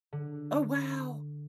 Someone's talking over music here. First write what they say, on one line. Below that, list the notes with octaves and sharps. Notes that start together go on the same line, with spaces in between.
Oh, wow.
D3